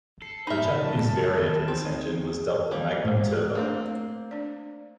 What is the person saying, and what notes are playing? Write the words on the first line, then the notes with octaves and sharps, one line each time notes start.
The Japanese variant of this engine was dubbed the "Magnum Turbo".
A4 C7
D#4 C5 E5 B5 F6
C#3 A5
D#3
C4
G3 A#3
C5
A3 A#3 C4 D4
D4 D5